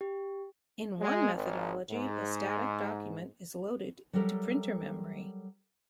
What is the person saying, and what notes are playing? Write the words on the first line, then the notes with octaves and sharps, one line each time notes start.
In one methodology, a static document is loaded into printer memory.
G4
G#3
G#1
G#2
F#3 G3 G4 A4 A#4 E5